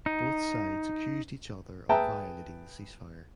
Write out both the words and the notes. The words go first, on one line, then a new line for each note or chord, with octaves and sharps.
Both sides accused each other of violating the ceasefire.
D#4
G#4 B4 E5 G5 A5 A#5